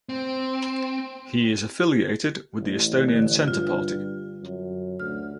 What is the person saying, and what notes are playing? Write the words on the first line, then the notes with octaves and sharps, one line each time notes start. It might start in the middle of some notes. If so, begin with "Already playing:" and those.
He is affiliated with the Estonian Centre Party.
C4
A1
D3
G2 F4
F#2
D2 F6